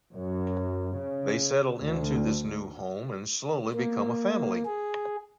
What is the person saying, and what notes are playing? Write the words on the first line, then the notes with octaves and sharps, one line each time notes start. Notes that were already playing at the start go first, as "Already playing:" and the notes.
They settle into this new home and slowly become a family.
F#2
C#3
D2
A#3
G#4